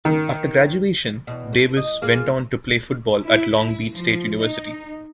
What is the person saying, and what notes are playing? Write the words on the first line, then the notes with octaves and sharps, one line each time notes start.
After graduation, Davis went on to play football at Long Beach State University.
D#3
E2 B2
A3
D#5
A#3 F4 G#4
E4
F3
D#4